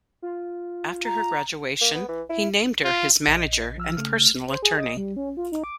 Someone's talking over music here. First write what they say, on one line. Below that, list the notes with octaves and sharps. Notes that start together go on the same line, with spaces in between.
After her graduation, he named her his manager and personal attorney.
F4
A#5
A#3
B3
E3
E4
F4
A#1 D#5
F3 E6 F6
C#3 A3 F6
C5
G#4
D#5
G3
C#4
F4
D#4
D6